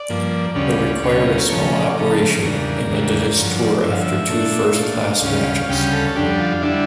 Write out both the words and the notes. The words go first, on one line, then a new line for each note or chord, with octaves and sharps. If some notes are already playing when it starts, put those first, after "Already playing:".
It required a small operation and ended his tour after two first class matches.
Already playing: D5
G2 F3 A#3
D2 C#3 G3 C#4 D5
D5
D2 C#3 G3 C#4 C#5
A#4
C#3 F3 A3 C#4 C#5
D5
C#3 F3 A3 C#4 A#5
A5
C#5
E2 C#3 G3 D4 A#4
E2 C#3 G3 D4
G2 D3 F3 C#5
D5
G2 D3 F3 E5
F5
E5
A#2 A3 D4
A#2 A3 D4 F5
D2 C#3 G3 C#4
D2 C#3 G3 C#4 G5
A4
F2 D3 G3 D4 G4
F4
D3 G3 D4 E4